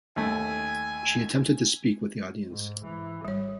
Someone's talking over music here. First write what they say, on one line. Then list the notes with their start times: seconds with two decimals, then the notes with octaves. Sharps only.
She attempted to speak with the audience.
0.16 D#2 A3 G#5
2.50 G#2
2.83 E3
3.25 G#1 G3 C#5